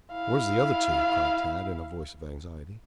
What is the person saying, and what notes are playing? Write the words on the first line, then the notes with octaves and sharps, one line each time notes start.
"Where's the other two?" cried Tad in a voice of anxiety.
E4 F5